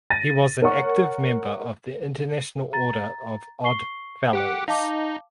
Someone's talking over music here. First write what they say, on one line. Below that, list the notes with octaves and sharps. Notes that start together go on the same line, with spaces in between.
He was an active member of the International Order of Odd Fellows.
A6 A#6 D#7
A#4 C#5 F#5 C#6
A#5 A6
C#6 C7 G7
G4 F#5 D6
D#4 F5 A5 D6